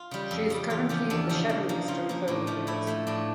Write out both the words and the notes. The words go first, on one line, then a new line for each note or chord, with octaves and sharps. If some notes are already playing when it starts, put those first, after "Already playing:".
She is currently the Shadow Minister of Home Affairs.
Already playing: F4
C#3 G3
F2
C#3 G3
E2 F4
C#3 F3 G4
E2 D4
C#3 F3
C#3
F3 A#3
C#3 F4
F3 A#3
A2 D4
F3 A3
A2 E4
F3 A3
A2 D4